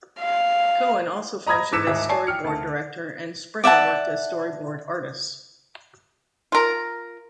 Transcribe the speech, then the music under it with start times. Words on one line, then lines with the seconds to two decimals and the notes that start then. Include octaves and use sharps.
Cohen also functioned as storyboard director, and Springer worked as storyboard artist.
0.19 F5
1.46 D#5 A#5 B5 D#6 G#6 A#6
1.72 G#2 D6 E6 B6 C#7 E7
1.87 D#1 G#2 G#3 G#4 E5
2.09 C#5 D5 G#5 A5 C7
2.27 G5 F6 C#7
2.44 D2 A5
3.64 D5 E5 F#5 A5
6.52 F4 A#4